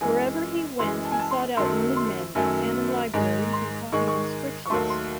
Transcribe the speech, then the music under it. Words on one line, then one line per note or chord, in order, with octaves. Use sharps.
Wherever he went he sought out learned men, examined libraries, and copied inscriptions.
F#2 E3 G#3 G#5
F#2 E3 G#3 C6
A5
G#5
A5
C6
F#2 D#3 F#3 A3 C6
C6
F#2 D#3 F#3 A3 G#5
G#2 D#3 G#3 G#5
C6
G#2 D#3 G#3 C#6
C#6
C#6
D#2 D#3 F#3 A3 C6
C6